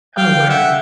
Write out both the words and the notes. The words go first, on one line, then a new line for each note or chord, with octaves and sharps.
Oh, wow.
F5 G5
E5 F#5